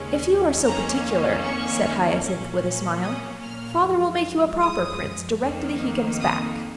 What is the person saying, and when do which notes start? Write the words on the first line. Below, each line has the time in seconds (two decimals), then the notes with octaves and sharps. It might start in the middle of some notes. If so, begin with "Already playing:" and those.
"If you are so particular," said Hyacinth, with a smile, "Father will make you a proper Prince directly he comes back."
Already playing: D#2 C#3 G#3 C#4
0.63 F2 D#3 A#3 C#4 A#5
1.43 C#6
2.23 A#2 F#3 A#3 C#4
3.02 D#6
3.42 F6
3.81 F#2 F3 G#3
4.61 D#6
5.41 F2 D#3 A#3
6.20 D#6